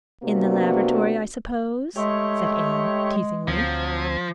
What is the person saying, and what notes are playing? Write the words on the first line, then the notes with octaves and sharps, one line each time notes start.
"In the laboratory, I suppose," said Anne teasingly.
C3 A#3 B3 D4 F#4
G#3 A3 G4 C#5
D2 F3 F#3 C4 G#6